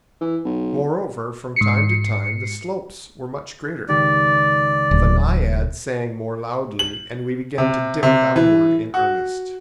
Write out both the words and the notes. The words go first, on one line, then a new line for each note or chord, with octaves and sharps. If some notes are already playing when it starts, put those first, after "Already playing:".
Moreover, from time to time the slopes were much greater, the naiad sang more loudly, and we began to dip downwards in earnest.
E3
B1
G#2 C7 C#7
C#2 D#3 G4 D5
D1
F#7
C3
C3
E3
F#4